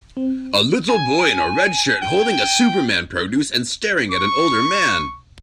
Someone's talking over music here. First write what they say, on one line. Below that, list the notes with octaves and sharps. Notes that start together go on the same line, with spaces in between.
A little boy in a red shirt holding a superman produce and staring at an older man.
C4
G#5
G5
C#6